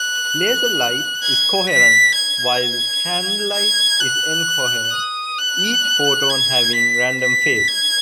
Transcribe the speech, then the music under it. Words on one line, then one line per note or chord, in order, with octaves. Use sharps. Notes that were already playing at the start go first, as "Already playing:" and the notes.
Laser light is coherent while candlelight is incoherent, each photon having random phase.
Already playing: F#6
G#6
B6
G#6
G#6
F#6
D#6
F#6
G#6
B6
B6
G#6